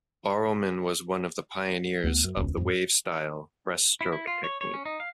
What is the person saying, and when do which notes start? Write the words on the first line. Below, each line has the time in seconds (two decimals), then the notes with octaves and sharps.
Barrowman was one of the pioneers of the "wave-style" breaststroke technique.
2.04 D2 B3
2.24 F#2
2.37 E1 C#2
2.57 F2 G#2
4.01 E4
4.12 E4
4.27 F4
4.44 C#5
4.61 C#5
4.74 C#4
4.85 D#4
5.00 F5